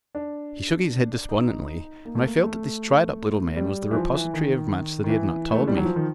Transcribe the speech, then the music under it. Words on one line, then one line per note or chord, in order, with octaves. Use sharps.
He shook his head despondently, and I felt that this dried-up little man was the repository of much that he had not told me.
D4
D#4
A#3
A3
A#3
A3
G3
E3
F3
E3
D#3
D#3
E3
A3
G#3
G3
F#3
F3
D#3